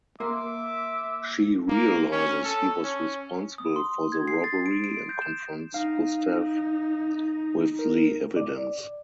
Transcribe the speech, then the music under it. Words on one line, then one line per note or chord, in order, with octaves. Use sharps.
She realizes he was responsible for the robbery and confronts Gustav with the evidence.
A#3 E5 C6 D6
A#3
C#4
A4
C#4
D#6
C6
G#6
C7
A6
D7
D7
G6
E7
D#4 F5
A#4
D5